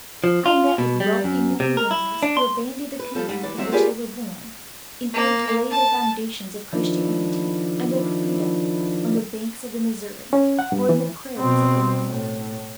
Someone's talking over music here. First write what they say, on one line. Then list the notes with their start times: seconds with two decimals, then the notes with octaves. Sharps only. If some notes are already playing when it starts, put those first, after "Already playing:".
I met with wealthy New Englanders who abandoned the country in which they were born in order to lay the foundations of Christianity and of freedom on the banks of the Missouri, or in the prairies of Illinois.
0.24 F3
0.46 F4
0.78 B2
1.00 G3
1.24 F#2
1.60 C3
1.77 A#4
1.91 E4
2.23 D4
2.37 C6
2.99 B4
3.15 F3 G3 A4
3.28 G#2 G3
3.43 E3 D5
3.57 E2 F#3 C4 E5 F#5
3.72 F4 G4 G#4 A#4 B4 D5
5.14 A#3
5.71 A5
6.73 D#3 F3 D4 E4
10.33 C#4
10.59 F#5
10.72 G2
10.89 E3
11.37 B2 C4
12.08 A2